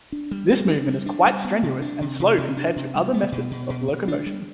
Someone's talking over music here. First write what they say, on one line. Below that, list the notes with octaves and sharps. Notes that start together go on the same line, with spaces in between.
This movement is quite strenuous and slow compared to other methods of locomotion.
D4
G3
G3
D4
G3
D4
G3
B3
C3
D4
C3
C3
C3
D4
C3
G3
B3
B2
B2
B2
B2
D4
G3